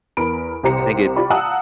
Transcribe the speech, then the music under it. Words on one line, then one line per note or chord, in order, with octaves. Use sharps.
I think it
E2 A#4 B5 D7
C2 G4 C5 A#5 C#7
F4 G4 D5 B5 C#6
F5 F#5 A5 A#5 D#6 E6